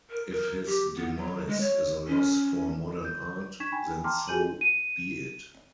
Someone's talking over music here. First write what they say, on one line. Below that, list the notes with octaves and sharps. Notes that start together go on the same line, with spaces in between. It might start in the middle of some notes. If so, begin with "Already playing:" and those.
If his demise is a loss for modern art, then so be it.
A#4
A#4
G4
B3
F#3
G#3
C#5
C#4
G6
D4 D#4 C#6 G#6 B6 E7
G5 G#5 B5
G5 A5 A#5 C6 D6 F6
F#4 G#4 G#5 G6 D#7 F#7
D#7